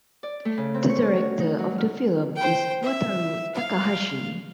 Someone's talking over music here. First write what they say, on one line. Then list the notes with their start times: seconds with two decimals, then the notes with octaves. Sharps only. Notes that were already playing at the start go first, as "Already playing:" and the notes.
The director of the film is Wataru Takahashi.
0.23 D5
0.45 A3
0.58 C#3
0.74 C4
0.89 C#6
1.02 C#4
1.16 F#4
1.40 D#4
1.59 F#3
1.78 F6
2.36 C5 G5
2.83 E5
3.55 F5